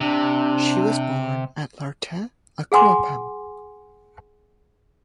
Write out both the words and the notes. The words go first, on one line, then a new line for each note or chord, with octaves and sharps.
She was born at Larteh Akuapem.
C3 D4
G#4 F#5 G#5 C6 D6